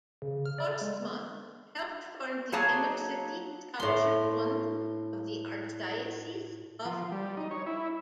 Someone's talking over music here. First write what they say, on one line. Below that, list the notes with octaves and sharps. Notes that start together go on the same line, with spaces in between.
Forstmann helped form the Inner-City Scholarship Fund of the Archdiocese of New York.
C#3
F6
D5
G#3
F#3 A#3 G#4 C#5 A5 A#5
A2 C6
F3
G3
D#4
C#5
E4